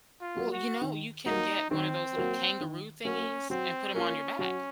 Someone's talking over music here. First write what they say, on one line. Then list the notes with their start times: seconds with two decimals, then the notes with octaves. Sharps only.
Well, you know, you can get one of those little kangaroo thingies and put him on your back.
0.21 F4
0.37 F#3 A#3
0.52 F#4
0.81 D#3
1.26 F#3 A#3 D#4
1.71 D#3 C4
2.16 F#3 A#3
2.60 D#3
3.05 F#3 A#3 C#4
3.50 F#3 C4
3.95 A#3 C#4 F4
4.39 F#3 C#4